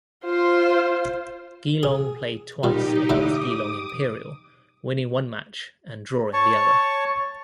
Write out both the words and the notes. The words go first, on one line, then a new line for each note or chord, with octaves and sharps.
Geelong played twice against Geelong Imperial winning one match and drawing the other.
F4 C5
G#4
A#2 G3 D#4 G4
A2 D3 A3 D6 D#6
C#5 A5 C#6